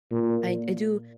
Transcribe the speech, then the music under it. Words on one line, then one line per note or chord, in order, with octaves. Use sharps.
I I do
A#2